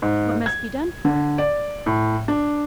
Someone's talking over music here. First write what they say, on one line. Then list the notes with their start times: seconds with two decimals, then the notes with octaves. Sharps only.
"What must be done for it?"
0.02 G#2
0.46 G#6
1.05 D3
1.38 D5
1.86 A2
2.28 D4